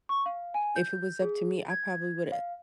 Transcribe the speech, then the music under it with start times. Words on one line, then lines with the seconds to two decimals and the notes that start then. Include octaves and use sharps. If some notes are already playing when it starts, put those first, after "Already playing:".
if it was up to me, I probably woulda
0.09 C#6
0.26 F5
0.54 G#5
0.76 G6
1.22 G#4
1.70 G#6
2.32 F5